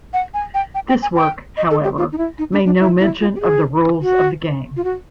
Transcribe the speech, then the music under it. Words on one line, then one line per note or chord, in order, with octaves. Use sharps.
This work, however, made no mention of the rules of the game.
F#5
G#5
G5
G5
G5
G#5
G5
D#5
A4
G4
F4
D#4
E4
D#4
D4
D4
E4
E4
F4
G4
G#4
F#4
F4
F#4